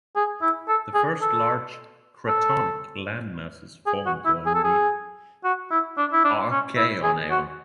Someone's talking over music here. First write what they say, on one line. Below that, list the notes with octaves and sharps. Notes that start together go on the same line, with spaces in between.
The first large cratonic landmasses formed during the Archean eon.
G#4
E4
A4
G#4
A4
A4
G#4
F#4
E4
G#4
A4
G#4
F#4
E4
D4
E4
D4
C#4
E4
G#4
F#4